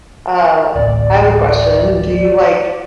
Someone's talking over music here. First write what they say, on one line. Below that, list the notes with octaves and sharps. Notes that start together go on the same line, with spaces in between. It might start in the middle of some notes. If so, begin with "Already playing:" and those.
Uh, I have a question, do you like
D1 A1 D5